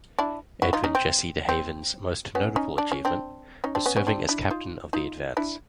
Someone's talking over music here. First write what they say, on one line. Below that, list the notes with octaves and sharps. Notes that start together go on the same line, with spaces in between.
Edwin Jesse De Haven's most notable achievement was serving as captain of the "Advance".
D4 E4
E4 F#4
D#4 F4
C#4 D#4
C4
C4
B3 C#4
C#4 D#4
D4
C#4
C4 D4
C#4 D#4
C4 D4
B3 C#4
B3 C#4
C4 D4
D4 E4
D#4 F4
D#4 F4
D4 E4